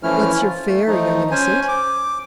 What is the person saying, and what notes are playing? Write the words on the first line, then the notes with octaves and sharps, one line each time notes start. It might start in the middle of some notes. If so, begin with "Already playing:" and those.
"What's your fare, young innocent?"
E3 F3 A3 C#4 E4 F6
F4
A3
F3 A3 D#4
C#4 C5 G#5
D6